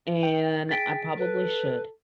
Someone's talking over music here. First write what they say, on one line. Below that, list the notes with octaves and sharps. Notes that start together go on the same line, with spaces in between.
And I probably should,
G5
G#4 G5 A6 B6 D7
A4 B4